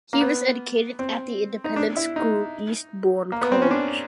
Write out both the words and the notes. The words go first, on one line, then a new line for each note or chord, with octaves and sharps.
He was educated at the independent school Eastbourne College.
A#3
B3
C4
D#4
D4
E4
D#4
A#3
B3
C4
C#4
D4